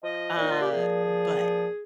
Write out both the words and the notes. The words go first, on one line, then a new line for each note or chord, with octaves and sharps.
uh, but,
F3 D#5
A#2 D#4
F4
G4
F3 G#4
A#2
F3